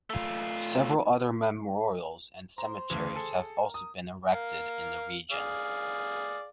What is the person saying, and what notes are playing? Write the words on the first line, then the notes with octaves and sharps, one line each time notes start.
Several other memorials and cemeteries have also been erected in the region.
A3 F4
C5 A#5
D2 C#3 E3
G#4 A4
A#4
D#6
A#4 F5
G#4 D5 F5